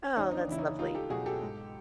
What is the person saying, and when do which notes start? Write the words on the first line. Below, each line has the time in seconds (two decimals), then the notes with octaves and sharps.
Oh, that's lovely.
0.16 D#2 C#4 D#4
0.31 D#4
0.37 D4
0.48 C#3 E3 E4
0.58 C#4 D#4
0.79 C#2 D#4 F4
0.95 G4 A4
1.10 B2 F#3 F#4 G#4
1.26 G4 A4
1.41 G#2